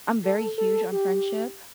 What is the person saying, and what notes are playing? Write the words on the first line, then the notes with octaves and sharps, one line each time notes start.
I'm very huge on friendship,
A4
A4
G4